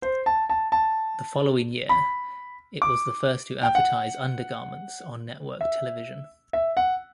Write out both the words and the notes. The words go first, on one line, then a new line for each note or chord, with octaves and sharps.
The following year, it was the first to advertise under-garments on network television.
C5
A5
A5
A5
B5
D6
G5
F#5
E5
E5
F#5